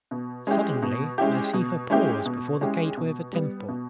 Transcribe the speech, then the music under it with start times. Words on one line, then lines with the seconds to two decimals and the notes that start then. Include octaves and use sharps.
Suddenly I see her pause before the gateway of a temple.
0.11 B2
0.47 G#3 C#4 E4 G4
0.82 B2
1.18 G#3 C#4 E4 G4
1.53 B2
1.90 G#3 C#4 E4 G4
2.25 B2
2.61 G#3 C#4 E4 G4
2.97 B2
3.33 G3 B3
3.68 B2